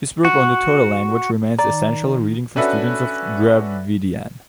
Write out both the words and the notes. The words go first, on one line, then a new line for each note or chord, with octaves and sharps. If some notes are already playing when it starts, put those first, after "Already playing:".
His work on the Toda language remains essential reading for students of Dravidian.
F#4
D#3 D5 A#5
C#4 D4 F#4 A4 B4 E5